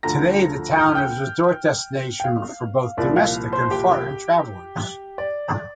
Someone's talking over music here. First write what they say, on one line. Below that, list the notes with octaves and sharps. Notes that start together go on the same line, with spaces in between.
Today, the town is a resort destination for both domestic and foreign travelers.
D2 D3 F3 A#5 A#6
G6
F6
G5 G6
G5
F5
C2 A#2 F3 D5
F5
C5 C6
G4 G5
D5